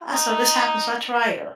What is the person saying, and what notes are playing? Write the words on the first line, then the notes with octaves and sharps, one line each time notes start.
I so this happened, so I tried her.
D#4